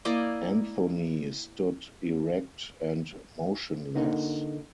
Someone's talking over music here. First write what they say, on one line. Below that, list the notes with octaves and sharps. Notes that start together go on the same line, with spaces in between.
Anthony stood erect and motionless.
A#3 E4 D5 D#5
D3 A#3 D#4 F#4